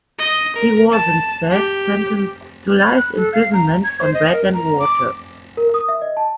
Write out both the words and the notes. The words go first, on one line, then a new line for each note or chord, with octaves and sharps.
He was instead, sentenced to life imprisonment on bread and water.
D#5
A#4
A5
G4
B5
F#6
A4
F5
A#5
G#6
C5
D#5
A#4
A#5
D6
A#4
D#6
E5
D#5
A5